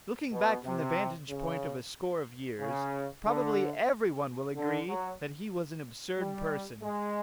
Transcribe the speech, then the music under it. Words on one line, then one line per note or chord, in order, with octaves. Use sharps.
Looking back from the vantage point of a score of years, probably every one will agree that he was an absurd person.
B2
C3
C#3
C#3
D3
D3
F#3
G3
G#3